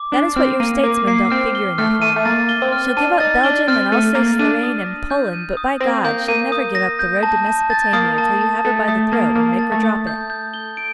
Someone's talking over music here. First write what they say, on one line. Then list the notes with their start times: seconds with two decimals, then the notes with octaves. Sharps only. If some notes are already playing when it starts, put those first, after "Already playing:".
That is what your statesmen don't figure enough on. She'll give up Belgium and Alsace-Lorraine and Poland, but by God! she'll never give up the road to Mesopotamia till you have her by the throat and make her drop it.
Already playing: D6
0.12 D4 C7
0.36 C4 F6
0.60 A#3 D#7
0.84 A#3 D6
1.07 A#3 C7
1.30 C4 F6
1.55 G7
1.78 A3 F6
2.02 A3 D#7
2.16 A3
2.25 A#3 A6
2.49 G7
2.62 C4
2.72 F6
2.97 D4 D#7
3.20 D#4 A6
3.43 D4 G7
3.68 C4 F6
3.92 A3 D#7
4.15 A#3 A6
4.39 D4 D#7
4.63 D#6
4.86 A#6
5.10 G6
5.33 D#7
5.57 D#6
5.80 C4 A#6
6.04 A#3 G6
6.28 A#3 D#7
6.52 D#6
6.75 A#6
6.99 G6
7.23 A5
7.46 A5
7.70 A6
7.93 A#3 D#6
8.18 A5
8.41 A5
8.65 A3 A6
8.88 A3 D#6
9.12 A#3 A5
9.35 A#3 A5
9.59 A6
9.72 A3
9.83 D#6
10.07 G6
10.30 G6
10.54 G7
10.77 D7